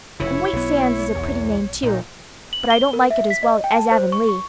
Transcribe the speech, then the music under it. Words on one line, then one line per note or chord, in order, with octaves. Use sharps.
And White Sands is a pretty name, too; but I don't like it as well as Avonlea.
F1 C#3 E4 C#5
B1 B3
E2
A#2 D#4
F#7
G7
A#4
E5
B6
D#5
G5
A5
C5
C#6
C#6